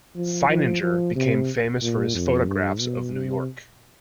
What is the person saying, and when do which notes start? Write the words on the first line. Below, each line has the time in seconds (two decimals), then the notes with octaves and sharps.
Feininger became famous for his photographs of New York.
0.16 F3
0.48 F3
0.82 F3
1.16 C3
1.81 A#2
2.14 F2
2.48 G2
2.80 B2
3.14 C3